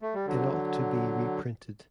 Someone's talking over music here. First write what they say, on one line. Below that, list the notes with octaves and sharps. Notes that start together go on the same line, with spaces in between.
It ought to be reprinted.
A3
G3
D3 F#3